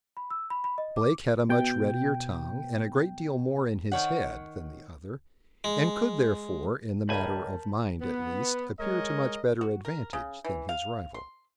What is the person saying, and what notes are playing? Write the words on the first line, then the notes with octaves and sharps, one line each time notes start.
Blake had a much readier tongue and a great deal more in his head than the other, and could therefore, in the matter of mind at least, appear to much better advantage than his rival.
B5
E6
B5
B5
D#5
D6
B2 G5
D#3 C#5 F#5
G#3
C#2 G2 A#4 G#5 A5 B5 G6
B3
G#3 A#4 C#5 D#5
F#4
A#4
C#3
E3
F5
C6